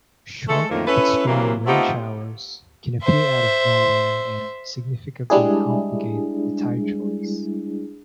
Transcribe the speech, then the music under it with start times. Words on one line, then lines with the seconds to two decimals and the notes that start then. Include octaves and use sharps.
Short but strong rainshowers can appear out of nowhere and significantly complicate the tyre-choice.
0.48 G#3 A3 A4
0.70 F2 A2 D3 D#3 F3 A#3
0.87 C#4 E4 A4 B4
1.26 C3 E3 F#3 A#3
1.66 A3 B3 C4 D#4 F4 G4
3.03 C5 E5
5.30 G3 G#3 D4 E4 G#4